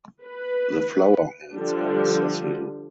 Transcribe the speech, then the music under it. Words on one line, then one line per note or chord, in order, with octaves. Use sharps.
The flower heads are sessile.
B4
D3 F3 G3 D4